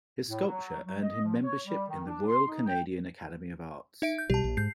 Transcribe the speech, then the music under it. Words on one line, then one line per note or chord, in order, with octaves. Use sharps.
His sculpture earned him membership in the Royal Canadian Academy of Arts.
A2
F#3
F#3
D#5
F3
C#5
G3
D#3
D4
C6
D#4
G5
D#4 E5 D7
G6
B1 B2 G3 G4 A5
A#1
G#2 G6 C7